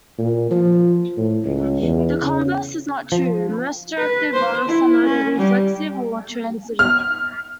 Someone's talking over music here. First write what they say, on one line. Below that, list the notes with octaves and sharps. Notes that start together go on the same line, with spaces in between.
The converse is not true: most directed graphs are neither reflexive nor transitive.
A#2
F3
A2
C#2
E2
C#3
F3
B4
C5
E4
C#4
G3
F6